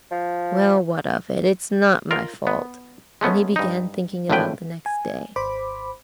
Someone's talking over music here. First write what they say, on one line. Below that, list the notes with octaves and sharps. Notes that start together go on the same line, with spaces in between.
"Well, what of it? It's not my fault." And he began thinking about the next day.
F3
F4 A#4
B3
G#3 A3 B3 C#4
G2 D#4
G#1 A2 D3 F3 B4 G5
G#5
G#1 C5 B5 D6